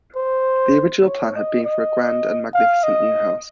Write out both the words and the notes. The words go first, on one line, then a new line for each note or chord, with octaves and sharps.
The original plan had been for a grand and magnificent new house.
C5
C#5
D#5
D#5
F5
D#5